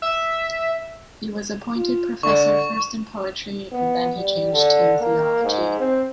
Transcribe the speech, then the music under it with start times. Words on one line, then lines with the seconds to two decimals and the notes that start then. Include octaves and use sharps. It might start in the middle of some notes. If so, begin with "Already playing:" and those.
He was appointed professor first in poetry, and then he changed to theology.
0.02 E5
1.76 F4
2.23 D3 C#6
3.72 B3
4.16 G3
4.51 D3
5.01 A#3
5.44 G#2
5.79 C4